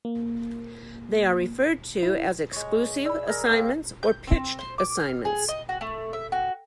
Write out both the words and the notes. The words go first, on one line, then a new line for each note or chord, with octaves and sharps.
They are referred to as "exclusive" assignments or "pitched" assignments.
A#3
E4
G#3 C#5
D5 B5 E6
G#4 A#4 A#5
A#3 C4 G#4
G6
C4
C5
D6
F6
G#4
D#5
F#4
A3
E5
F#4